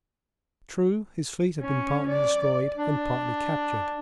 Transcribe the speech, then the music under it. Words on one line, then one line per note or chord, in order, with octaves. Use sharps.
True, his fleet had been partly destroyed and partly captured.
C#4
D5
D4